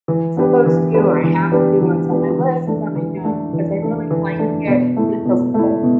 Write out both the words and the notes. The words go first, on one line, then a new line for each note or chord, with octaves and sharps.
supposed to or I have to or it's on my list or am I doing it because I really like it and it feels indulgent?
E3
B3 D4 G4 B4
E3
B3 D4 G4 B4
E3
B3 D4 G4 B4
E3
B3 D4 G4 B4
E3
A3 D4 A4
E3
A3 D4 A4
E3
A3 D4 A4
E3
A3 D4 A4
B2
A3 E4
B2
A3 E4
B2